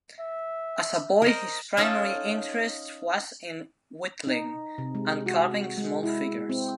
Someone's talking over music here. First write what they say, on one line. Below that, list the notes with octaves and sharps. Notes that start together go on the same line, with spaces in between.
As a boy his primary interest was in whittling, and carving small figures.
E5
A#4 C5 D#5
C#4 D#4 F4 A4 G5 A5
D#4
C3
G#3
F#4
G#3
E4
C4